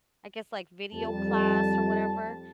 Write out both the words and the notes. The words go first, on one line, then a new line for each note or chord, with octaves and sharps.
I guess, like, video class or whatever,
F2 G3 A5